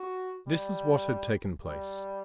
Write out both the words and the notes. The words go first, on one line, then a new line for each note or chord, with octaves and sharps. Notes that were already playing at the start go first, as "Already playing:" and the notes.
This is what had taken place.
Already playing: F#4
G3
G3